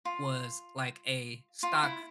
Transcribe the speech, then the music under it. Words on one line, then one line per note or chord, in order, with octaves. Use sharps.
was like a stock
F4
F4
E4